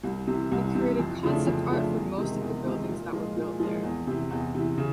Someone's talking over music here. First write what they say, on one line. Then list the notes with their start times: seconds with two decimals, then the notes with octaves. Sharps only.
He created concept art for most of the buildings that were built there.
0.03 C2
0.27 C3 E3
0.52 C2
0.75 C3 E3
0.99 F2
1.23 C#3 F3 A3 D4
1.47 F2
1.70 C#3 F3 A3 D4
1.94 E2
2.18 C3 D#3 G#3
2.41 E2
2.65 C3 D#3 G#3
2.89 A#2
3.12 F3 G#3
3.37 A#2
3.60 F3 G#3
3.83 E2
4.07 C3 E3
4.30 E2
4.55 C3 E3
4.78 C#3